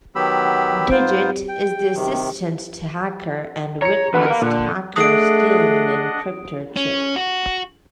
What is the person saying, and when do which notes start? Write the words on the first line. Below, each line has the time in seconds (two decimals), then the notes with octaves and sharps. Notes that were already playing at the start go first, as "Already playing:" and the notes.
Digit is the assistant to Hacker and witnessed Hacker stealing the Encryptor Chip.
0.15 D#3 F#3 B3 G4 B5 E6
0.91 G#2 B3 F4 C5
1.49 G5
1.95 C3 D#3
3.82 C#5 A#5 C#7
4.14 E2 D3 B4 F#5 B5
4.26 A#4 F5
4.42 A#2 D3
4.96 A3 D4 G#4 D#5 F#5 D#6 D7
6.76 C#4
7.16 F#4